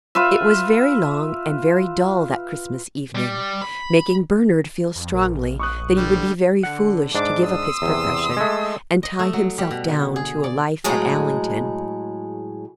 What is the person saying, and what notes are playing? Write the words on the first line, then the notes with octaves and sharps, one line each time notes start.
It was very long and very dull that Christmas evening, making Bernard feel strongly that he would be very foolish to give up his profession, and tie himself down to a life at Allington.
F4 B4 E5
G3
B5
F2
A#1 A#4
C#6 D#6 F#6
D3 G3
D3 F#5
G#2 D4 D6
C6 D#6 E6
E2 C3
G#3 A3
D#5
A3
F#3
G3
B2
D3
G#4
D5
A2 F#3 G#3 G#4